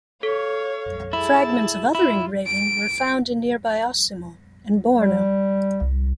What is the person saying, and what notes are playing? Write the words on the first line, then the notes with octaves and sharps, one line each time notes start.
Fragments of other engraving were found in nearby Ossimo and Borno.
A4 C#5 F5
E4 G#4 A5
E4 F4
D7
G3
C2